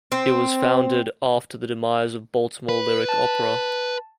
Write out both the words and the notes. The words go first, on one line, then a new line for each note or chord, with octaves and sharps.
It was founded after the demise of Baltimore Lyric Opera.
C4
B4
A5